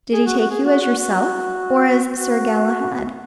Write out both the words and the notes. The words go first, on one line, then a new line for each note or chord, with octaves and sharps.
'Did he take you as yourself, or as Sir Galahad?'
G#4
F#4
F#4
G#4
F#4
F#4
F#4
F#4
F#4